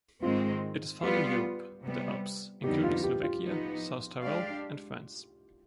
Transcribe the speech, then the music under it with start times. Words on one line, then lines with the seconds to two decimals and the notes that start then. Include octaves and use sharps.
It is found in Europe: the Alps, including Slovakia, South Tyrol and France.
0.22 G#2 D#3 G#3 C4 F4
1.03 G3 B3 F4 G4
1.83 C3 G3 B3
2.64 F2 D3 G3 B3 D#4 G4
2.84 F4
3.04 G4
3.23 F4
3.44 F3 B3 D#4
4.23 G#3 D4 G4 D5 F5